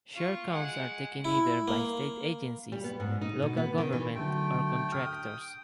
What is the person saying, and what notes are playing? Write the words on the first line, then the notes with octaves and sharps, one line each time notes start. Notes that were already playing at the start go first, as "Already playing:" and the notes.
Short counts are taken either by state agencies, local government, or contractors.
F4 C#6
G#3 F#5
E4
A#3
G3
B3
G#2
D#4
B2
B3
D#3
E3
D3 F#3 A3 G5
G5 D#6 F6